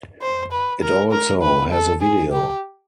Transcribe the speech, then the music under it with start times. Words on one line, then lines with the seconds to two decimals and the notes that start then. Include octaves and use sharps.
It also has a video.
0.22 C5
0.52 B4
0.82 A#4
1.12 A#4
1.42 B4
1.72 A4
2.01 G#4
2.32 G4